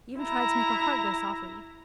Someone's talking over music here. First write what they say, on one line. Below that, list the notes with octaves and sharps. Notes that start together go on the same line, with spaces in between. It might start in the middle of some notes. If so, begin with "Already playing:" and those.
She even tried to make her heart go softly.
E4 A#5